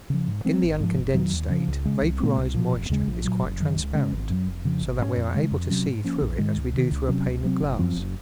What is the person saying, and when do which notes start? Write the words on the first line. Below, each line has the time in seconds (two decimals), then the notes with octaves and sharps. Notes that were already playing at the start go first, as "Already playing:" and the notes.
In the uncondensed state vaporized moisture is quite transparent, so that we are able to see through it as we do through a pane of glass.
0.10 C#3 F3
0.27 G#2
0.45 F3 G#3 C4
0.63 G#1
0.80 G#2 F3
0.98 F#1
1.14 F2 D#3 F#3
1.33 D#2
1.50 C#3 F3
1.68 C#2
1.85 C#3 G#3
2.02 C2
2.20 A#2 G#3 C4
2.37 C2
2.54 A#2 F3
2.72 F1
2.90 D#2 C#3 G#3
3.07 A#1
3.25 A#2 F#3
3.41 F#1
3.60 F#2 D#3
3.76 C#2
3.94 C#3 G#3 C#4
4.12 G#1
4.30 F#2 D#3 F#3
4.47 F1
4.65 F2 C#3 F3
4.82 G#1
4.99 G#2 F#3 C#4
5.17 F2
5.34 C#3 G#3
5.51 F2
5.69 C3 F#3 C#4
5.86 G#2
6.04 F3 A#3 C#4
6.22 A#1
6.38 G#2 D#3 G#3
6.57 C#2
6.74 C3 D#3
6.91 C#2
7.08 C3 F#3 C#4
7.27 C#2
7.44 C3 F#3 C4
7.61 F#1
7.79 F#2 F3 C4
7.96 F#1